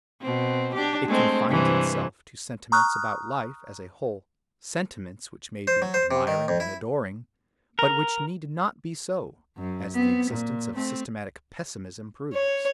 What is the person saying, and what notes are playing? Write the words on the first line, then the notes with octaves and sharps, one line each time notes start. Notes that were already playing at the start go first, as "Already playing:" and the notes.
It confines itself to sentiments about life as a whole, sentiments which may be admiring and adoring, but which need not be so, as the existence of systematic pessimism proves.
B2 C4
D4 G4
G#3 A3 C4
G2 C3 E3
A#5 C#6 D#6 F6 F#6
C5
F#3
C5
C3
D#3
F2
E4
A#4
F#2
B3 C4
A#2
A3 C4
C#5